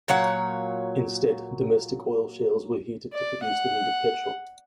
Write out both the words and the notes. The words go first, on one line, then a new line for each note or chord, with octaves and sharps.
Instead domestic oil shales were heated to produce the needed petrol.
A#2 F#3 C#5 F#5
D5
F#5